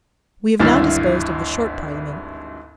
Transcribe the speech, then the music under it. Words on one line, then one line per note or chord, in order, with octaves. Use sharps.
We have now disposed of the Short Parliament.
G#1 D2 G2 E4 F6 A6